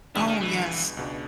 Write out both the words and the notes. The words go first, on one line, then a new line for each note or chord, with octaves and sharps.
Oh, yes.
C#2 B2 E3 G#3 B3 D4
D#3
E3
C#2 B2 G#3 B3 D4